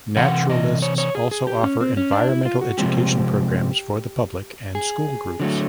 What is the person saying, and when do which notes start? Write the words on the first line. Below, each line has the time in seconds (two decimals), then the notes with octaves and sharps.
Naturalists also offer environmental education programs for the public and school groups.
0.16 C3 E3 F#5
0.50 D#5
0.82 C#5
0.98 C#5
1.15 G#4
1.31 G#4
1.47 G4
1.63 C#4
1.81 C4
1.97 C#4
2.12 D4
2.29 E4
2.46 F4
2.61 F#4
2.78 C3 F3 G#3 C4 G4
4.75 G#4
5.40 D3 F#3 A3